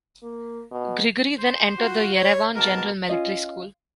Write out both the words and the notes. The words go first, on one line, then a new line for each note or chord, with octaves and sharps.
Grigory then entered the Yerevan General Military School.
A#3
B2
C5
F4 F#4
C#5
G#2 B2 A#3 A#4 A5
C#4 F4 D#5